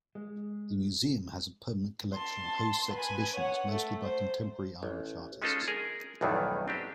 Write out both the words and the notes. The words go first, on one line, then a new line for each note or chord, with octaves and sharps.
The museum has a permanent collection and hosts exhibitions, mostly by contemporary Irish artists.
G#3
A5 C6
B4 G#5
C#5 F#5
A3
C5
A1
G#3 C#4 D#4 F4 G#4 A4
G#4 A#4
B1 E2 G2 D#3 E3 A3
C4 D4 G4 C5 D#5